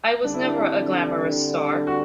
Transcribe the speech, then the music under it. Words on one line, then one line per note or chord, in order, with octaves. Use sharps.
I was never a glamorous star..
D3 G3 C4 D4
E4
D4
F#4